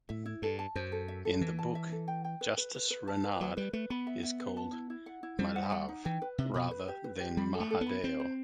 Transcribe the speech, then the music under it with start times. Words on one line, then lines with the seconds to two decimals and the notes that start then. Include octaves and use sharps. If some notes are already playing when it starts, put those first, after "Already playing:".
In the book, Justice Ranade is called "Madhav" rather than Mahadeo.
0.09 A2 E5
0.26 E4
0.42 G2 A4
0.59 A5
0.75 F#2 C5
0.92 A4
1.08 E5
1.25 A4
1.41 E3 E5
1.59 A5
1.75 E5
1.92 A4
2.08 G5
2.24 G5
2.41 B4
2.57 B4
2.75 B4
2.91 B4
3.08 A5
3.24 B4
3.41 F#3 B4
3.57 G3 B4
3.73 A3 B4
3.90 B3 B5
4.07 E5
4.23 E5
4.40 B4
4.57 A5
4.73 E4
4.90 E4
5.06 F#5
5.23 E4
5.39 G3 C5
5.56 F#5
5.72 F#5
5.89 D#4
6.05 E3 G5
6.22 B4
6.38 C3 E5
6.54 B2 B5
6.71 B4
6.88 G4
7.04 B4
7.20 G4
7.37 G3 B5
7.54 A4
7.60 A3
7.71 A4
7.81 B3
7.86 B5
8.03 C4 C5
8.20 C5